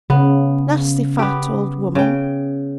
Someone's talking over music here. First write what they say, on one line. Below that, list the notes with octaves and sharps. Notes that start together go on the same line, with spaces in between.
Nasty fat old woman!
C#3 B3
B3 G4
C#3 G5